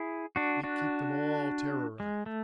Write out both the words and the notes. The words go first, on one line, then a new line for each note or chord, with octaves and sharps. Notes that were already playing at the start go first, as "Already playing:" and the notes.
We keep them all terrorized.
Already playing: E4 G#4
D4 F#4
D4 F#4
G#3
A3